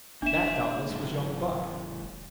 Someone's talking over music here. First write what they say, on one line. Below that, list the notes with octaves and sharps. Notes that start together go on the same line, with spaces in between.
That, doubtless, was young Buck.
E1 A#3 D4 E5 E7
D#2 G#2